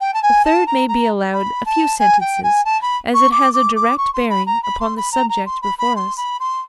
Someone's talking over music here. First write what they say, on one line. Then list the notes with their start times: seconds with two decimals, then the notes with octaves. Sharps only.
The third may be allowed a few sentences as it has a direct bearing upon the subject before us.
0.01 G5
0.14 A5
0.23 G#5
0.45 A5
0.67 A#5
0.88 A#5
1.33 B5
1.66 A5
1.99 G#5
2.21 G5
2.43 G#5
2.65 A5
2.82 B5
3.14 C#6
3.31 D6
3.54 D6
3.76 D6
3.98 C#6
4.14 C6
4.30 B5
4.46 A#5
4.63 B5
4.80 C6
4.97 B5
5.12 A#5
5.29 A#5
5.46 C6
5.62 B5
5.78 B5
5.96 C6
6.17 B5
6.40 C6